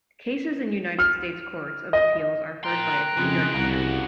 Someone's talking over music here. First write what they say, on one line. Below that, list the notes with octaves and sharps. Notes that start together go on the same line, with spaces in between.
Cases in United States courts of appeals are heard by a three-judge panel.
F6
D#5
A#4 G5 A#5 C6 F#6
F2 C#3 E3 G#3
C2 C#3 F#4